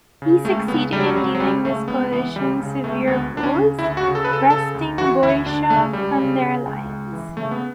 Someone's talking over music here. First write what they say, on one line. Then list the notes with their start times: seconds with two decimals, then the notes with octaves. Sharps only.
He succeeded in dealing this coalition severe blows, wresting Boeotia from their alliance.
0.22 C#3
0.45 C#2 A3
0.68 C#3 B3
0.92 C#2 G3
0.99 F#3
1.07 G3
1.16 C#2 F#3
1.35 F#3
1.40 C#2 G3
1.64 C#3 A3
1.88 C#2 B3
2.12 E3 B3
2.36 C#2 G3
2.60 C#3
2.84 C#2 A3
3.07 D2 B3
3.31 D2
3.37 D4
3.43 C#4
3.55 C#3
3.79 D2 E4
3.97 F#4
4.03 C#3
4.15 A4
4.24 C#3 B4
4.33 A4
4.50 C#3 A4
4.75 D2
4.98 E3 F#4
5.22 D2 E4
5.46 D2 D4
5.70 C#3 A3
5.93 C#2 G3
6.18 C#3
6.42 C#3
6.66 C#2
6.89 C#2
7.13 E3
7.37 C#3 A3
7.51 B3